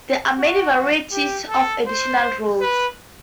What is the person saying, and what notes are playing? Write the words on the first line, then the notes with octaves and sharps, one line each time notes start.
There are many varieties of additional rules.
F#4
G4
A4
C5
B4